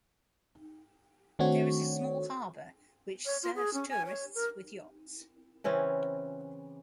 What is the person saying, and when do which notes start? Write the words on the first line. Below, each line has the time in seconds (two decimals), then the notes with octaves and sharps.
There is a small harbour which serves tourists with yachts.
1.39 D#3 A3 C4 D4 F#4 C#5
3.26 C#5
3.43 F4
3.56 G#4
3.74 C#4
3.90 G#5
4.06 C#5
4.35 A#4
5.64 C#3 E3 C4 C#4